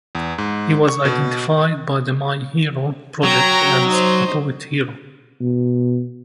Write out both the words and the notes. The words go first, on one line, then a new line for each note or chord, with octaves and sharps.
He was identified by The My Hero Project as a poet hero.
E2
G#2
C#6
B2
F#3 G5 A#5
D#4 C5
B2